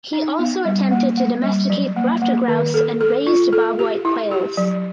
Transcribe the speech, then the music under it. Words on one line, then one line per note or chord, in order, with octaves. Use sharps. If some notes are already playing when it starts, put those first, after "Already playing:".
He also attempted to domesticate ruffed grouse and raised bobwhite quails.
D#4
B3
G3
A#3
A#3
G3
F#3
A#3
A#3
D#3
A4
A4
F4
A4
G4
E4
G4
F#3